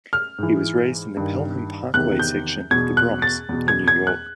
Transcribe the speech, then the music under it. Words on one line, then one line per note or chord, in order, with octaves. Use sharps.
He was raised in the Pelham Parkway section of the Bronx, in New York.
F6
G#2 E3
G2 D#3
E2 C3 D#3 F#6
G6
E2 B2 G#6
F#6
A6
E2 B2
G#6
G#6
F#6